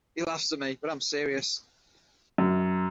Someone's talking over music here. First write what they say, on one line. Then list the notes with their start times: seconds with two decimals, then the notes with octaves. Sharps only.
He laughs at me - but I'm serious.
2.38 F#2